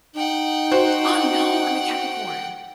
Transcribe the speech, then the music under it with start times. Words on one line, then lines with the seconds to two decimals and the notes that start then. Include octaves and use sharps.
Ah, no, I'm a Capricorn.
0.16 D#4 F#5 G5
0.72 F#4 C5